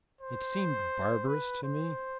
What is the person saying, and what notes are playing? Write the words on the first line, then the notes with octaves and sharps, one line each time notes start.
It seemed barbarous to me.
C5
B4
C5